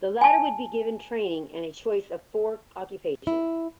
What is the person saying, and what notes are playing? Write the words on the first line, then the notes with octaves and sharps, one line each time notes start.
The latter would be given training and a choice of four occupations.
G#5 A5
E4